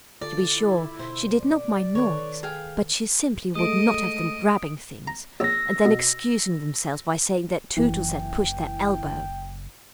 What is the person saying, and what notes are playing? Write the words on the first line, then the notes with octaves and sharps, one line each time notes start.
To be sure, she did not mind noise, but she simply would not have them grabbing things, and then excusing themselves by saying that Tootles had pushed their elbow.
D3 F4 A4 D5
E4
B2 C5
D5
D#3 A4 B4 C#5
G#4 F5 G5
G#3 A3 D#5 D#6 D7
A#5
A#1 C#5 E6 A#6
B2
F#1 E3 G5